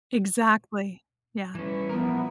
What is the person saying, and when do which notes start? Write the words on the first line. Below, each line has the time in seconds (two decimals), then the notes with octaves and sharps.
Exactly. Yeah.
1.55 E3 G3 C#4 E4 B4
1.89 F3 B3 A#4